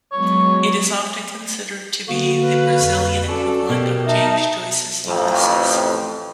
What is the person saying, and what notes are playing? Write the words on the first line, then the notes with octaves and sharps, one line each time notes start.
It is often considered to be the Brazilian equivalent of James Joyce's "Ulysses".
F#3 G#3 B3 C#5
D3 A#3 B3 F#4
B4 F5
F2
C#4 F#4 A4 D5
B2 G4 A#4
D#4 E5 A5
A1 F2